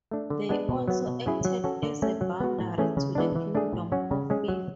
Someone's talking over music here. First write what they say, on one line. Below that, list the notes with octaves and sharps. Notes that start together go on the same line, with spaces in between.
They also acted as a boundary to the Kingdom of Fife.
A3 D4
D3
G#3 B3 D4
B2
F#3 B3 F#4
B2
F#3 C#4 E4 G#4
F#3
C#4 F#4 A4
D3
A3 C#4
F#3
B3 F#4
A2
E3 A3 C#4 G#4
C#3
E3 G#3 B3 D4
E3
A3 D4 G#4
A2
F#3 C#4 F#4
C#3
G#3 C#4 G#4
F#3